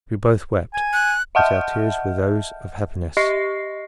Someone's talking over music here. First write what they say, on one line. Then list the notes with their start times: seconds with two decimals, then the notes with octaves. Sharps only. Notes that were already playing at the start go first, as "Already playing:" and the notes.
We both wept, but our tears were those of happiness.
0.74 G#5
0.93 F#6
1.35 D#5 E5 F#5 A5 F6 G6
3.17 G4 D#5 C#6 A#6 C7